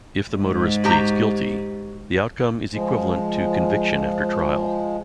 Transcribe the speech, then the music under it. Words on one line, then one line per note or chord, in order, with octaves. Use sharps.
If the motorist pleads guilty, the outcome is equivalent to conviction after trial.
G#2
F#4 G4 A#5
F3 G#3